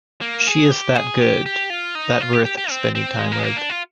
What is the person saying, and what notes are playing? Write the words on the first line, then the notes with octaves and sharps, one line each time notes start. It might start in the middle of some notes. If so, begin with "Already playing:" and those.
She is that good, that worth spending time with.
A#3
G#4
G4
G#4
G4
G4
F4
D#4
F4
G4
G4
G4
C4
C4
G#3
A#3
G#3
A#3
D4
F4